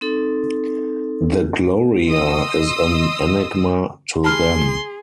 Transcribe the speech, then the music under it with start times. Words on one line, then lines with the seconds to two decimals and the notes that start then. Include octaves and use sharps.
The "Gloria" is an enigma to them.
0.01 C4 D#4 A4
2.08 D#5 C6 D#6 E6
4.24 G#4 A5 B5 C6 F6